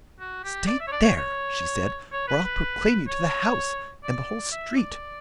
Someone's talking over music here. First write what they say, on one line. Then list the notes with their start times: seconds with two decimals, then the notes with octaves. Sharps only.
'Stay there!' she said, 'or I'll proclaim you to the house, and the whole street!
0.20 F#4
0.44 G4
0.67 D5
0.80 E5
0.87 C#5
0.92 D5
1.04 C#5
1.16 C#5
2.12 C#5
2.28 B4
2.44 B4
3.08 C#5
4.04 D5
4.52 E5
4.77 D5